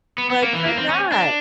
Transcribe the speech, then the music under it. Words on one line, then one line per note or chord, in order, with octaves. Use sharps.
But you're not.
B3
B3
A#3
E3
A#3
C4
C#4
D4